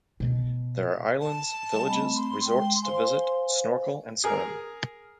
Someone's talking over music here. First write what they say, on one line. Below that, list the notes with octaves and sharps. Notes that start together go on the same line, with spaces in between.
There are islands, villages, resorts to visit, snorkel and swim.
B2
A5
G3 D#5 G#5
A3 C4 B5
C6
G#3 G5
C5 F5 G#5
G#4 A#4